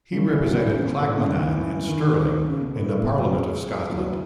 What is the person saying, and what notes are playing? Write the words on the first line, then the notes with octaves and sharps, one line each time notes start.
He represented Clackmannan and Stirling in the Parliament of Scotland.
C#3
D#3
E3
F#3
E3
C#3
B2
A2
C#3
D#3
E3
E3
D#3
C#3
B2
A2
A2
B2
F#3
G#3
F#3
F#3
E3